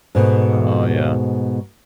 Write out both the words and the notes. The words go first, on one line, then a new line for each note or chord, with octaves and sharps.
Oh, yeah.
G#2 B2 A3